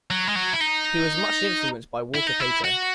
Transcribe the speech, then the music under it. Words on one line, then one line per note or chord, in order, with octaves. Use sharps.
He was much influenced by Walter Pater.
F#3
G#3
F#3
E4
D#4
E4
D#4
E4
F#4